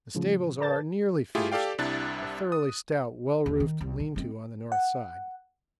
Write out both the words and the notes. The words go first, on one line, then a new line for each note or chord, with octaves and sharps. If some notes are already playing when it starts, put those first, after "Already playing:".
The stables are nearly finished--a thoroughly stout well-roofed lean-to on the north side.
A2 C#3 F3
A#4 B4 D5 A5 G6 A6
A3 E4 F4 G4 G#4
G4 A4 D5 F5 G5
C2 C3 D4 E4 F#6 A6
D#6
D#2
D#3
C2
D#3
G#3 C4
F#5